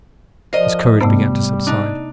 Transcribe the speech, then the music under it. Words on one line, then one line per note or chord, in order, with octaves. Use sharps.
His courage began to subside.
F3 A#4 C5 D5 D#5
G#2 C3 G3 A3 B3
D4 D#4 D6